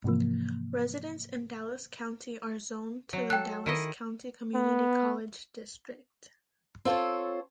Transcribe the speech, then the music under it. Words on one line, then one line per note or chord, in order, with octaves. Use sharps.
Residents in Dallas County are zoned to the Dallas County Community College District.
G#2 C3 E3 F3 A#3
F#3
A4 G5 F#6
D#3 E4 D#5
B3
C4 F4 A4 C5 C#5